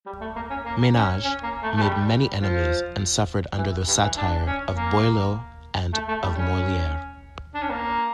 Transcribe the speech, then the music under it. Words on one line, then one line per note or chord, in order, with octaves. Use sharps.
Ménage made many enemies and suffered under the satire of Boileau and of Molière.
G3
A3
A#3
C#4
A#3
C#4
C#4
A#3
A3
A3
G3
F3
E3
G2
E3
D4
C#4
A#3
A3
A3
G3
C#4
D4
C#4
A#3